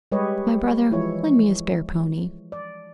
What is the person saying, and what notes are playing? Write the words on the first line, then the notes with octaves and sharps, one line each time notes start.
My brother, lend me a spare pony.
G3 G#3 G4 B4 C#5 D#5
E3 F3 G#3 E4 C#5
D5